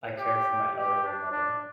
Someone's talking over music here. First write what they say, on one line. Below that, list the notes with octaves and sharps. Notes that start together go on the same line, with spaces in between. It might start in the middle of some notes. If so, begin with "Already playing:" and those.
I care for my elderly mother.
G4
G4
D4
D4